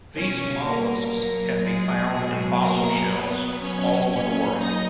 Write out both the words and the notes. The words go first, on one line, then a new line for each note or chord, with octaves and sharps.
These molluscs can be found in fossil shells all over the world.
B2 G3 C#4 C#5
A#3 A#4
A#2 F#3
G#3 G#4
B2 F#3
A#3 A#4
B2 F#3 B3 B4
C#4 C#5
A#2 F#3 C#4 C#5
D#4 D#5